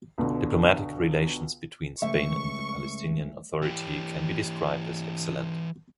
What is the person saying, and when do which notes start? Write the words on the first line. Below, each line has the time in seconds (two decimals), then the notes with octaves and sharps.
Diplomatic relations between Spain and the Palestinian Authority can be described as excellent.
0.18 C#2 B2 D3
2.02 C#2 F3 G3 A3 E5 C#6
3.62 E3 G4